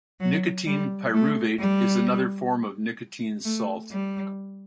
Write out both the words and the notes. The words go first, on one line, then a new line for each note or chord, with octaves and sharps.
Nicotine pyruvate is another form of nicotine salt.
F#3
G3
A3
G3
A3
G3